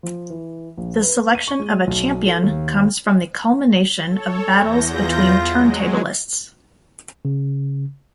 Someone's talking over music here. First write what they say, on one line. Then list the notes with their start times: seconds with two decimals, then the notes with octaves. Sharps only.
The selection of a champion comes from the culmination of battles between turntablists.
0.03 F3
0.30 E3
0.78 A#1
1.02 B4
1.35 D#7
1.48 C#6
1.60 G#3
1.87 B1
2.27 A4
2.43 D#2
4.08 A4 C#5
4.55 E2 G6 A#6
4.94 F4
5.47 F#3 G#3
7.25 C#3